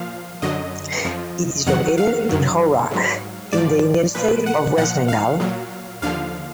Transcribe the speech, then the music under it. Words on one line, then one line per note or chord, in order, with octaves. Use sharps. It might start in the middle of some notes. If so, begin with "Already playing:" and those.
It is located in Howrah in the Indian state of West Bengal.
Already playing: A#2 F3 F5
F#2 D3 F#3 D#5
F2 F3
F2 D#3 F#3 F#5
F5
F#2 D#3 F#3
G#2 F#3
G#2 D5
F3
A#2 F3 B4
F#5
A#2 F3 F#5
F5
A#2 F#3
D#2 D3 F3 F5